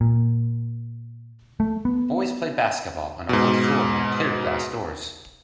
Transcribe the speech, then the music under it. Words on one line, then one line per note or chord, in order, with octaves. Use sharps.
Boys play basketball on a wood floor near clear glass doors.
A#2
A3
B3
G#2 B2